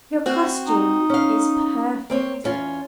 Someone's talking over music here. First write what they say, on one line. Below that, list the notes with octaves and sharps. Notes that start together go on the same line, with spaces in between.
"Your costume is perfect."
C4 F#4
D#4
C#4 F5
A#3 C4 C#5
E2 C#4 F4